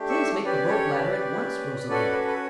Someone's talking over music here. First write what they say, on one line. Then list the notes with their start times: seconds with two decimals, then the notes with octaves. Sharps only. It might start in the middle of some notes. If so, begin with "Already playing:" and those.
"Please make the rope ladder at once, Rosalie!"
Already playing: A3 D4 G4
0.09 C#6 E6
0.45 C#4 G4 B4 D5
0.69 A4 C#5
0.93 B4 D5
1.17 C#4 G4
1.89 C#4 F#4 A4 B4 D5
2.12 B4
2.27 B4